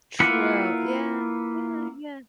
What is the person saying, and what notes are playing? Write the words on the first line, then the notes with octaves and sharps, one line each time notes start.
True. Yeah. Yeah, yeah.
A#3 E4 F4 B4 F#5